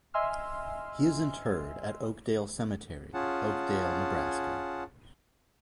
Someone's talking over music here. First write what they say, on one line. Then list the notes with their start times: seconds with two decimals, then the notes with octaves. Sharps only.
He is interred at Oakdale Cemetery, Oakdale, Nebraska.
0.14 D#5 E5 G#5 C6 E6 F6
3.14 C#4 F4 G#4 F#5 A5